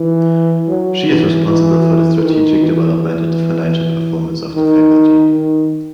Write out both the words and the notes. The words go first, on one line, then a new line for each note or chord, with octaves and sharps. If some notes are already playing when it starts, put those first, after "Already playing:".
She is responsible for the strategic development and financial performance of the Faculty.
Already playing: E3
F#3
E3
E3
D#3
E3
D#3
D#3